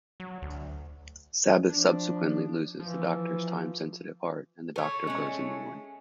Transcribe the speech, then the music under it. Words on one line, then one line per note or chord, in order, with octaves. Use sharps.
Sabbath subsequently loses the Doctor's time-sensitive heart and the Doctor grows a new one.
F#3
D2
F3 D4
E3 F3
A3 C#5
G#3 C#4